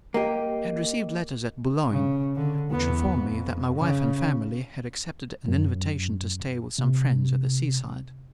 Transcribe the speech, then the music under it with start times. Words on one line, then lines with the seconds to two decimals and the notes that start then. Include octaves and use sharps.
I had received letters at Boulogne, which informed me that my wife and family had accepted an invitation to stay with some friends at the sea-side.
0.14 A#3 G4 D#5
1.91 C#3
2.36 D3
2.71 E2 B3
3.14 F2
3.78 C#3
5.48 F#2
6.78 C3